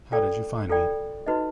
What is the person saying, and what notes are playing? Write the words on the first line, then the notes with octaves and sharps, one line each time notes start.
How did you find me?
F4 A4 D5 G5
F4 A4 D5 G5
D#4 F#4 B4 D#5